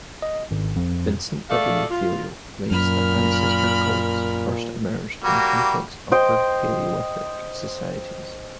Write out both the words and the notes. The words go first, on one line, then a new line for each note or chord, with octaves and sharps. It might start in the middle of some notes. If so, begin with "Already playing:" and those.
Vincent W. Fallio writes that ancestor cults first emerged in complex Upper Paleolithic societies.
D#5
G#1
F2
A3 G#4 A4 D5 F5
F4
F#2 A#2 A#4 B5 F6
G3 A#3 F#4
C5 D#5 G5